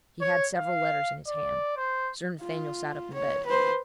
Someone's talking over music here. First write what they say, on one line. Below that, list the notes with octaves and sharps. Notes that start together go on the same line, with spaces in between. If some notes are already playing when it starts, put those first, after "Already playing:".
He had several letters in his hand. Sir Nathaniel sat up in bed.
C#5
F5
D5
C5
F4
C#5
B4 C5